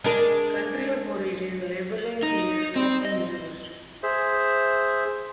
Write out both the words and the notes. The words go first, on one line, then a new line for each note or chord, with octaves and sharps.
Country of Origin Labeling is often used.
G#3 D4 A#4
D#4
C4
D#5
G#4 C5 E5